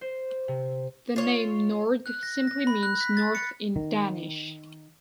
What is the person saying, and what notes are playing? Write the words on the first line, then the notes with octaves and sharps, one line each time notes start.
The name "Nord" simply means "north" in Danish.
C5
C3
F4 C#5
F#6
A#6
A#6
B5
F#6
B6
A6
C#7
D#3